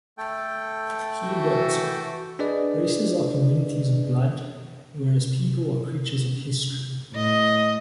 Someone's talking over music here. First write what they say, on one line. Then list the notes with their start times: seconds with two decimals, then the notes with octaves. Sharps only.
He wrote:Races are communities of blood, whereas people are creatures of history.
0.18 A3 A4 G5
1.26 E3 F#4
2.39 D4 G#4 B4 D5 D#5
7.13 A2 D#5